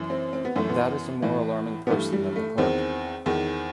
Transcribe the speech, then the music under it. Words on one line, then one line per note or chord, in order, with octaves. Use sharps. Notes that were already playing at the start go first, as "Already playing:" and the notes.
That is a more alarming person than the clerk.
Already playing: F#2 E3
C4
C4
B3
F#2 E3 A3
B3
A2 E3
B3
G2 E3 A3
G3
A3
E2 D#3 C4
E2 D#3